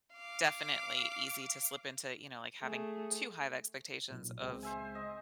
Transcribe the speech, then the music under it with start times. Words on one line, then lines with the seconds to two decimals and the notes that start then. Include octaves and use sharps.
definitely easy to slip into, you know, like, having too high expectations of
0.14 F5 D6
2.62 A3 G#4
4.10 B1 A#2
4.40 C#2 G#3 C4
4.63 C5 E5 G#5
4.95 D#5